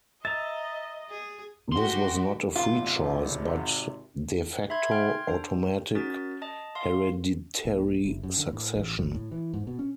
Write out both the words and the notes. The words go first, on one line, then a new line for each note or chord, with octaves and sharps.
This was not a free choice, but "de facto" automatic hereditary succession.
D#5 E5 A#5 A6
G#4
F#4 G4 C6
G#1 C3 F4
E5 B5 C6 G#6
G5 C6 F6 G#6
D4 C5
C#4 F#4 A#4 A6
D#5 A5
F5 C6
A#1
F#1
F#2
D3
A2
A1
G1
A2
E3
G#2
B2
C#4